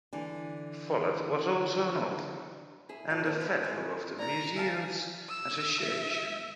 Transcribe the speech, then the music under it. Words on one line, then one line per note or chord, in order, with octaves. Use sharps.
Follett was also an author and a Fellow of the Museums Association.
D3 E3
E4 G#4
F3 F4 D5 F5
F3 G3 A#3 C4 A4
C3 E3 F3 G3 A#3 B3
A2 C#3 G#3
E4 D5 A#5
E5 F5 G#5 A5
E6
E5